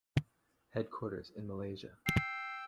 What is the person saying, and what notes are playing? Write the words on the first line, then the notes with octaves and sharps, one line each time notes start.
Headquarters in Malaysia.
G5 E6 C7